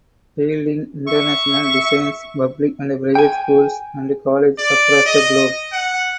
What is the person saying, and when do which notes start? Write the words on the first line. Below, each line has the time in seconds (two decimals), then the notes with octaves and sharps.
Fielding International designs public and private schools and colleges across the globe.
1.08 E5 C#6
3.15 G5 G#5
4.58 D5
5.06 D#5
5.72 F#5